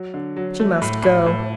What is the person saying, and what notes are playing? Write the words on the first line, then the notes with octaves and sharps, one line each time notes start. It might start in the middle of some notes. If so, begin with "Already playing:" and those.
She must go.
Already playing: F#3
D3
F#3
A3
A2
A2
A2